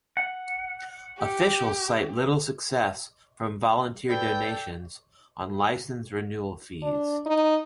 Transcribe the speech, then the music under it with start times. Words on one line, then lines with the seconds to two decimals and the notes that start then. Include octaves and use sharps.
Officials cite little success from volunteer donations on license renewal fees.
0.17 F#5
1.18 G4
4.09 A4 B4 D5 G5
6.82 D4
7.26 D#4